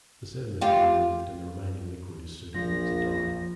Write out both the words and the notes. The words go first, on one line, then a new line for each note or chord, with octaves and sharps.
The sediment is removed and the remaining liquid is suitable as a dye.
F4 G4
A#1 A#2 F3 A#6